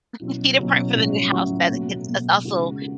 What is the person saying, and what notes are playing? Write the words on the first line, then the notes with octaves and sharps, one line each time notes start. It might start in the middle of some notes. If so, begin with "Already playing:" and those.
with cheetah print for the new house that it can is also,
B2 F#3 C#4 E4
B2 F#3 C#4 E4
A2 F#3 C#4 F#4
A2 F#3 C#4 F#4
B2 F#3 A3
B2 F#3 A3
C#3 G#3 D#4 F#4
F#4